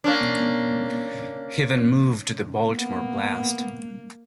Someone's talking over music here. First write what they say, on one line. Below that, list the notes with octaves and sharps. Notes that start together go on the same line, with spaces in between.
He then moved to the Baltimore Blast.
A#3 C#4 D4
A#3 B3